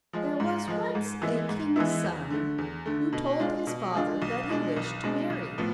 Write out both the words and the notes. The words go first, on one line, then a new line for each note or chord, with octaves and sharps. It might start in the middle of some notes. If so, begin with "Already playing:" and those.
There was once a king's son who told his father that he wished to marry.
F3 G#3
G#2
F3 G#3
G#2
E3 G#3 B3 E4
G#2
E3 G#3 B3 E4
E2
D3 A3
E2
D3 A3
B2
G#3 D4 F4
B2
G#3 D4 F4
B1
B2 G#3 D4
B1
B2 G#3 D4
B1
A2 F3 B3